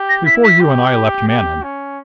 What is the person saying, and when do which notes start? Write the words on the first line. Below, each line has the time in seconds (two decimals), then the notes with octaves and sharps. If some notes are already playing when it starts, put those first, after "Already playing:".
Before you and I left Manon.
Already playing: G4
0.09 A#6
0.26 E4 B6
0.44 B6
0.60 G4
1.28 G4
1.63 C#4